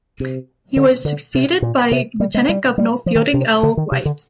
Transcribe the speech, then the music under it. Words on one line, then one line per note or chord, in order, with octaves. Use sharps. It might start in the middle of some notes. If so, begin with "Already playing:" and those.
He was succeeded by Lieutenant Governor Fielding L. Wright.
C3
D3
D3
C3
A#2
C3
G3
G#3
G3
G3
F3
D#3
C3
D3
D#3
C3
D3